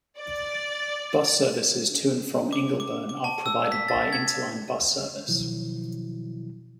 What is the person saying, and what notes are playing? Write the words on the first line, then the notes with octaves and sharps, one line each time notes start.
Bus services to and from Ingleburn are provided by Interline bus service.
D5
D6
D6
D6
A5
E6
B6
A6
G#6
B2 D#3 F3 F#3 E4